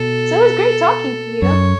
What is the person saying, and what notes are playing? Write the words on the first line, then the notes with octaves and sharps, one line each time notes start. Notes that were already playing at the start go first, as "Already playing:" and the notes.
So, it was great talking to you.
Already playing: B2 A4
F#2 C#5